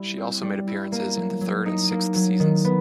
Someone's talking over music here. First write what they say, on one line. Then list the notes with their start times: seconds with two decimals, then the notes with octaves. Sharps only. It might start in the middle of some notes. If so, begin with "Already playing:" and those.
She also made appearances in the third and sixth seasons.
Already playing: G3 E4
0.18 C4
0.43 G3
0.67 E4
0.92 A#3
1.17 F#3
1.41 F#3
1.66 D#4
1.91 A#3
2.15 F#3
2.40 D#3
2.65 B3